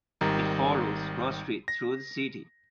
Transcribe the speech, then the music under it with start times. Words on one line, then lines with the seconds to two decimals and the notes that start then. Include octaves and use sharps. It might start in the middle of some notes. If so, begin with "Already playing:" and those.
It followed Broad Street through the city.
0.21 G#1 D#3 G3 A#5
1.68 A#6